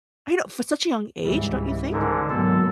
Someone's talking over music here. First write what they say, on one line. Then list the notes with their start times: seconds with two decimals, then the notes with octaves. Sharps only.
I know for such a young age, don't you think?
1.25 C#2 G#2 E3 G3
1.93 G#2 D3 G#4 A#4
2.29 G#2 B2 E3 F#3 A3 A#3 A4